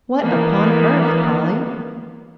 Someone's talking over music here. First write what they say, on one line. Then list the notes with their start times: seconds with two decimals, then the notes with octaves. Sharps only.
"What upon earth, Polly!"
0.21 E3 A#3 B3